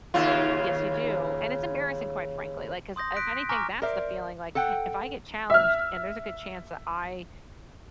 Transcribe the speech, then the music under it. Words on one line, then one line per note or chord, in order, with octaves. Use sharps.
Yes, you do, and it's embarrassing, quite frankly, like, 'cause if anything, that's the feeling, like, if I get challenged and there's a good chance that I
D#2 C#3 F4
C6 D#6 G6 A#6
F#6 B6 D7
G#5 A#5 C#6 D6 F6 A#6
A#4 C5 D5 E5
A4 F#5 G5
E5 F6